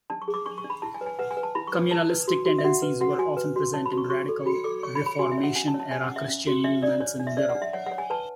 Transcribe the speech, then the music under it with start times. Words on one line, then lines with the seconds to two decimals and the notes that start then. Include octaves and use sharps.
Communalistic tendencies were often present in radical Reformation-era Christian movements in Europe.
0.10 D4 A5
0.22 C#6
0.28 G#4
0.34 D6
0.46 D4 C#6
0.58 C#6
0.64 D4
0.70 B5
0.82 E4 A5
0.94 G#5
1.01 B4
1.06 G#5
1.19 B4 F#5
1.31 G#5
1.37 B4
1.43 A5
1.55 E4 B5
1.67 C#6
1.73 B4
1.91 E4 A5
2.09 B4
2.28 F#4
2.46 F#4
2.59 E5
2.64 F#4 F#5
2.82 B4
3.01 F#4 F#5
3.18 F#4 G#5
3.37 B4
3.56 F#4
3.74 C#5 A5
3.86 B5
3.92 F#4
3.98 C#6
4.10 F#4 C#6
4.29 A4
4.46 F#4 B5
4.64 A4 D6
4.83 C#5 C#6
4.95 B5
5.01 C#5
5.06 B5
5.19 F#4 G#5
5.31 E5
5.38 C#5
5.44 F#5
5.55 C#4 G#5
5.68 A5
5.74 C#5
5.80 A5
5.91 C#5 G#5
6.04 F#5
6.09 C#4
6.16 E5
6.28 C#4
6.47 F#4
6.64 D4 E5
6.82 D4 D5
7.00 D4 C#5
7.20 D4
7.27 E5
7.37 C#5 D5
7.49 F#5
7.55 D4
7.62 E5
7.73 C#5 F#5
7.86 F#5
7.91 C#5
7.98 G#5
8.10 B4 A5